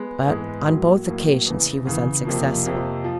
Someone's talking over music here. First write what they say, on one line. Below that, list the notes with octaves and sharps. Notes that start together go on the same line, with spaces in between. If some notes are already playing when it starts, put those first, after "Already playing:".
But on both occasions he was unsuccessful.
Already playing: G#3 B3
G#2 E3 G#3 B3
A2 F#3 A#3
A2 F#3 A#3
E2 C#3 E3
E2 C#3 E3
F2 C3 F3 A#3
F2 C3 F3 A#3
F3